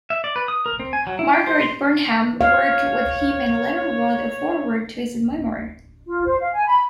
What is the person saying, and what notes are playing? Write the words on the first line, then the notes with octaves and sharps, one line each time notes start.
Margaret Burnham worked with him and later wrote a foreword to his memoir.
E5
D5
B4
D#6
A#4
C4
G#5
F#3
E4
G5
C5
C6
C#5 F5
F4
C5
F5
G#5
B5